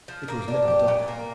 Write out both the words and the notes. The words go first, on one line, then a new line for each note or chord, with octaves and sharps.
It was nip and tuck.
F3
A#3
D4
G4
A#2
A#3